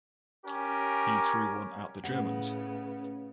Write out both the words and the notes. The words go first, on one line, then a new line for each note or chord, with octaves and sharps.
He threw one at the Germans.
C#4 G4 A#4
A2 C#3 B3 C#4 F#5